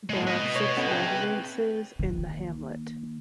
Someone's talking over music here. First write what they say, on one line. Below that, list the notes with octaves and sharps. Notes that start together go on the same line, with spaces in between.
There are six residences in the hamlet.
A2 G#3
B4 D#5
C#5
D3 B3 C#4
C3 G#4 G5
D#3 A#3